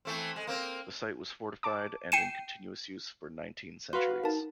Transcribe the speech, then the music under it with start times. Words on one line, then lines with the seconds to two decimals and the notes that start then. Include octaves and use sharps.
The site was fortified and in continuous use for nineteen centuries.
0.05 E3 A3 C4
0.36 G#3
0.47 A#3 C4
1.63 A5 D6
2.12 G5 C7 C#7 D#7 E7
3.93 F#4 B4 F5 C6
4.24 D#4 A#4 A5